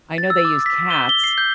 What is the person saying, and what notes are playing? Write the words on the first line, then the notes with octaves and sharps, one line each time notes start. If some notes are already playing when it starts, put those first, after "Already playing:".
I know they use cats,
A6
E6
D6
B6
G7
G7
C7
G6